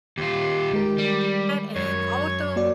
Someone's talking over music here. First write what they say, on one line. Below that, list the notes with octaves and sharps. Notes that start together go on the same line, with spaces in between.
and "auto,"
D#2 F4 G4
D#3 G#3 A#4
G3
F#2 C#5
A#3 F#4 D5